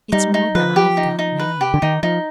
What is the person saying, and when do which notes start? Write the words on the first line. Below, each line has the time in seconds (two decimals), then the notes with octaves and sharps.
It's more than I've got now.
0.12 G3 D#4
0.34 D#4
0.55 F3 B4
0.76 G4
0.97 D#4
1.19 D#4
1.39 B4
1.61 G4
1.74 D3
1.82 D#3 D#4
2.03 F3 D#4